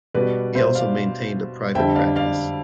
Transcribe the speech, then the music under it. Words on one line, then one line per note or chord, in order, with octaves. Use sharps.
He also maintained a private practice.
B2 G3 B4 D5
C5 E5
D5 F5
F2 D3 G3 E5 G5
D5 F5
D5 F5